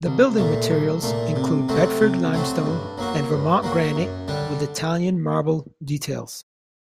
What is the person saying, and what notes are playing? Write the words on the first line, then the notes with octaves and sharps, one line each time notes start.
The building materials include Bedford Limestone and Vermont granite with Italian marble details.
C2
A#2 A3
C2
A#2 A3
C3
F#3 A3 C4 F#4
C3
F#3 A3 C4 F#4
G2
F#3 A#3 F#4
G2
F#3 A#3 F#4
F#2
D3 G3 D4